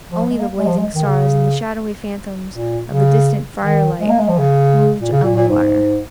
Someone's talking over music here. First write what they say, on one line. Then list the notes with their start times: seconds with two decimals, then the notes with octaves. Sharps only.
Only the blazing stars and the shadowy phantoms of the distant firelight moved on the water.
0.11 F3
0.31 G#3
0.40 A#3
0.58 G#3
0.67 F3
0.77 G#3
0.95 D#3
1.05 C#3
2.52 A#2
2.90 C#3
3.63 D#3
4.01 G#3
4.09 A#3
4.19 G#3
4.28 F3
4.38 C#3
5.01 A#2
5.12 C#3
5.23 A#2
5.36 A#2
5.49 G#2